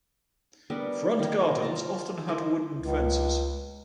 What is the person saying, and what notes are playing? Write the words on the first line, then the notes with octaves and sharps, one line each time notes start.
Front gardens often had wooden fences.
G3 B3 D4 A#4
D#3 F5
F4 A5 A#5
E4 A#4 C5 D#5
C#2